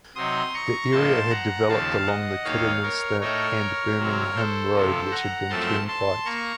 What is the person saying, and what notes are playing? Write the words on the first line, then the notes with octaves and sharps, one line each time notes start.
The area had developed along the Kidderminster and Birmingham Road, which had been turnpiked.
C3 F#3 C4 D#4 C6 D#6
A#5 C#6
A2 F3 A#3 D#4 A5 C6
F#5 A#5
D#2 C#3 F3 F5 A5
D#5 F#5
D#2 D#3 A#3 D#4 C#5 F5
A#4 C#5
A2 A3 D#4 A#4 C#5
C3 F#3 C4
A4 C5
F2 C3 F3
F#5 A#5
F#2 F3 A3 C4 A5 C6
A5 C6
A#3 A#5 C#6